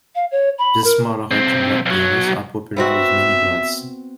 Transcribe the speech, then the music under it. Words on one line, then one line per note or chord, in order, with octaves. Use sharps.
The small, red-to-black berries are popular with many birds.
F5
C#5
B5
A#4
B1 C4
B1 F#3
B3 C4 F#4 E5